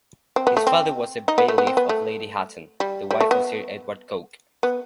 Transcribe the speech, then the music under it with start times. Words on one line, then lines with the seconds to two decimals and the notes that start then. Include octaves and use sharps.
His father was a bailiff of Lady Hatton, the wife of Sir Edward Coke.
0.36 C4
0.47 B3
0.57 A3
0.67 C4
1.28 D#4
1.38 B3
1.48 A3
1.58 B3
1.67 C4
1.77 B3
1.89 A3
2.80 G3
3.11 G3
3.20 A3
3.31 B3
4.63 B3